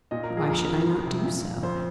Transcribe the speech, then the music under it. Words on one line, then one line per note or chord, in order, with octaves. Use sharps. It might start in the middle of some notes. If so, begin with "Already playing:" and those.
"Why should I not do so?"
A#2 D#5
A#4
F3
G#4
F2 A#4
F3
F2
C3 F3
A#2
F3
F2 C5